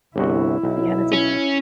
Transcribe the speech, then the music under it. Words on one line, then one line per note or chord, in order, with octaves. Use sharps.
Yeah, that's a
G1 C2 E4 F#4
B1
C#4